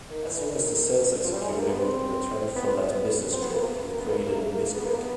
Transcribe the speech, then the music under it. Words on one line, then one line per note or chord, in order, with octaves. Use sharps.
As soon as the sales executive returned from that business trip, he created Bisquick.
D#3
E3
D3
D#3
F3
G3
G#3
A3
A#3
B3
C4
B3
C4
B3
C4
B3
A#3
B3
A#3
B3
A#3
A#3
A3
A#3
B3
A#3
B3